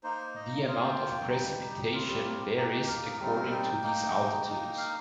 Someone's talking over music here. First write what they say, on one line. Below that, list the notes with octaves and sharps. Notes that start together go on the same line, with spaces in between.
The amount of precipitation varies according to these altitudes.
A#3 D#4 C5
D#5
A#3 F4 F5
G5
G3 D#4
G4
G3 C4 F4 A#4
G4
A#4
G4
A#3 D#4 G4
A#4
G3 C4 D#4
G5
A#3 D#4
A#3 D#4
F5